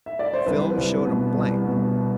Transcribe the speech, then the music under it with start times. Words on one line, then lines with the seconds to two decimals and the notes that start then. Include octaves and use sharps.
The film showed a blank.
0.06 E5
0.19 D5
0.33 C5
0.46 C2 B4
0.77 C2
1.07 B2
1.37 C2
1.67 B2